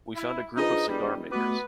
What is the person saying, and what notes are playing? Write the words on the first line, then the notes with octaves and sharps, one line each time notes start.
We found a group of cigar makers.
E4
F3 D4 D#4 G#4 B4 D#5
E1 G3
B2 A3 B3 B4 D6